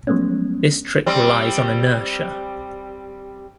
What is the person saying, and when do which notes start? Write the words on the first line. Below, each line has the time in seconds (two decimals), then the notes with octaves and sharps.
This trick relies on inertia.
0.07 F3 F#3 G#3 A3 B3 C#4
1.06 G3 C4